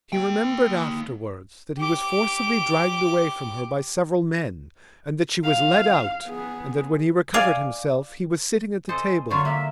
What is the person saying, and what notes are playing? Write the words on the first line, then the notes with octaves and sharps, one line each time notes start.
He remembered afterwards that he was forcibly dragged away from her by several men, and that she was led out, and that when he recovered himself he was sitting at the table.
A#3 G5
G4 D6
F5
B3 G#4
D5 F5 G#5
A4 C5 D#5 G#5
D3 F#3 F4 C#6
A#3 E5